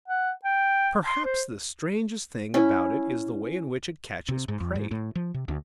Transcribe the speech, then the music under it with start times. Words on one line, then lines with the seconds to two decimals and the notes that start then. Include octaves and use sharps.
Perhaps the strangest thing about it is the way in which it catches prey.
0.08 F#5
0.44 G5
1.05 C6
1.25 C5
2.54 C#4 E4
4.29 C3
4.48 G#2
4.60 F2
4.75 G#2
4.91 A2
5.15 F3
5.34 C3
5.48 D2